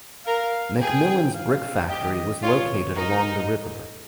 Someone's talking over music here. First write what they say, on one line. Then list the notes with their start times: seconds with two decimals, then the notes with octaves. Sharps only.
McMillan's brick factory was located along the river.
0.26 A#4 F5
0.80 G#4 G5
1.34 F5
1.88 G4 D#5
2.42 F4 C#5
2.96 D#4 A#4